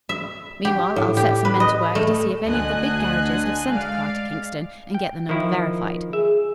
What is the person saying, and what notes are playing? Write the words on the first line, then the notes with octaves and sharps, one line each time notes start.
Meanwhile, I'll set some men to work to see if any of the big garages have sent a car to Kingston, and get the number verified.
E5
G4
A2
G4
B4
D#5
A3
D2 D3 D#5 G#5 F#6
G#3 D5 F5
G5
D#3 F3 E4
G#4 E5